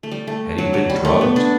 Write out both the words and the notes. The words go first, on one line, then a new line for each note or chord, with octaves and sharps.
Had he been drugged?
A3
G3
A3
F#3
F#3
G3
A3
B3
D4